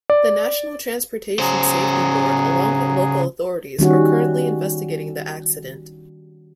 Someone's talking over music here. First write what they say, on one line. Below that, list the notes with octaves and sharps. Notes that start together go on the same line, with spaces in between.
The National Transportation Safety Board along with local authorities are currently investigating the accident.
D5
C#3 F#3 G#4 C5
D#3 G3 C#4 F#4